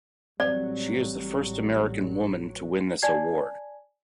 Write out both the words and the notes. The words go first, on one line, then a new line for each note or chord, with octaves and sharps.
She is the first American woman to win this award.
A1 F#3 G3 C4 D5
D5 G#5 A5 G#6 C7